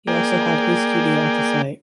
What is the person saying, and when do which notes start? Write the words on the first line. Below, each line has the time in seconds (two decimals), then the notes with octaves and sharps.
He also had his studio at the site.
0.07 A#3 G#4 D5 G5